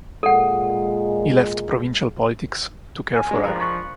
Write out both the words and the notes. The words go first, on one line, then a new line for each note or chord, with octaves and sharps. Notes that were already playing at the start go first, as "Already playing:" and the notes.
He left provincial politics to care for her.
A#2 G#3 A4 F#5
G#5 F6
G#3 D4
F3 A#4 F#6
B5 C#6 F#6